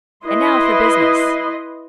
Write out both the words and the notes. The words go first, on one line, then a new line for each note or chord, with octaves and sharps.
And now for business.
E4 B4 D#5 C6